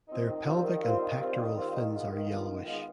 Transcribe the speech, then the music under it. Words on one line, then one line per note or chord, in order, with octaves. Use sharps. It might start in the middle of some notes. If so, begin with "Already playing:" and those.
Their pelvic and pectoral fins are yellowish.
F3 C4 D#4
D#3
G3 C4 F4
D#3
G3 C4 F4
D#3
G3 C4 F4
D#3
G3 C4 F4
D#3
G#3 B3 F4
D#3
G#3 B3 F4
D#3
G#3 B3 F4